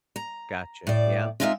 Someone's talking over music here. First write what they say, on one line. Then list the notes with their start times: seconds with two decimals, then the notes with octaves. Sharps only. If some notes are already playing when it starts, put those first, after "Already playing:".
Gotcha. Yep.
0.16 A#5
0.87 A2 D5
1.40 C3 G#3 D#4 F4 D#5 E5